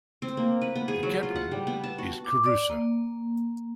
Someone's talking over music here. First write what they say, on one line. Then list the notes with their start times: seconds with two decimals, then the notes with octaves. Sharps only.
The capital is Kouroussa.
0.22 C4
0.37 A#3
0.62 B4
0.75 B3
0.88 G#4
1.03 F#3
1.23 F4
1.36 F#5
1.51 G3
1.67 B3
1.84 A5
1.98 F#4
2.25 D6
2.46 D5
2.70 A#3